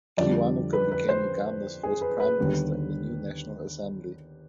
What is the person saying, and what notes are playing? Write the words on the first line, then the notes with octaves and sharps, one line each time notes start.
Kiwanuka became Uganda's first prime minister in the new National Assembly.
F2 D3 G3 D5
B4
B4
C5
G#4
B4
B4
D#2 D3 G3 B3